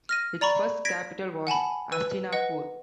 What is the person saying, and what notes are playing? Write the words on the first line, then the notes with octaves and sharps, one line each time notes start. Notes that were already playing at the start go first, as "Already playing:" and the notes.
Its first capital was Hastinapur.
F6 A#6 D#7
D5 A#5 B5 C#6
G#6 A#6 B6 D7
F#5 G#5 A5 B5
B4 E6 D#7
B4 D#5 F#5